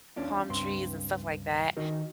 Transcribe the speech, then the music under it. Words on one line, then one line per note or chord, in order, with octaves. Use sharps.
palm trees and stuff like that.
E2 C#4 D4 F4
C#2 G2 C4 C6
D#3 D#4 F#4 A#4